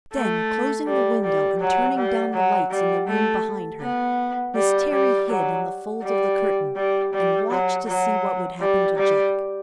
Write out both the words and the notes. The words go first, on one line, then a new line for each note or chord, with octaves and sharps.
Then closing the window and turning down the lights in the room behind her, Miss Terry hid in the folds of the curtain and watched to see what would happen to Jack.
A3
G3
G3
F#3
G3
F#3
G3
A3
B3
G3
G3
F#3
G3
G3
G3
F#3
F#3
G3
G3